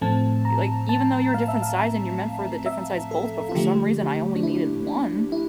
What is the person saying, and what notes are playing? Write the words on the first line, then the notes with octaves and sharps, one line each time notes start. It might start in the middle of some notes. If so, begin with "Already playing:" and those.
like, even though you're a different size and you're meant for the different size bolts, but for some reason I only needed one.
A2 F3 A3 C4 A5
A#5
A5
F5
E5
F5
E5
A4
F4
D3 F3 A3 G4
D4
E4
D4
E4